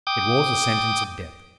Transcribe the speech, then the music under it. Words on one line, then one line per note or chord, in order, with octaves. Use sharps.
It was a sentence of death.
G5 D6 D#6